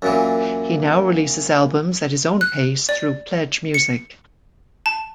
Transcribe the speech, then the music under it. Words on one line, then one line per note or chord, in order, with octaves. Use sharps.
He now releases albums at his own pace through PledgeMusic.
F#2 A#2 E3
F#6
D5
C#7
A5